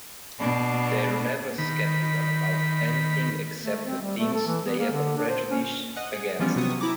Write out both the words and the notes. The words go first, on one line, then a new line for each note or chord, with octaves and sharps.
They're never skeptical about anything except the things they have a prejudice against.
B2 D4
D#3 B5
A3
C4
G3
A3
A4
E3
B3
A#3
D3
D4
C5
C#4
D#5 F#5
G#4
E3 F3 G3 B3 C#4 D4
C3 F#3 B3 C#6 D#6 D#7
E4 A#5 D6